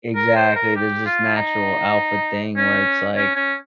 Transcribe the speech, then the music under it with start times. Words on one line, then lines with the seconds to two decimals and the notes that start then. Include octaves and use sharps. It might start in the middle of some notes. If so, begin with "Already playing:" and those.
exactly. There's this natural alpha thing where it's like
0.15 A#4
0.36 C5
0.55 A#4
0.76 G4
1.06 F4
1.36 D#4
2.56 C#4
3.16 C#4
3.36 C#4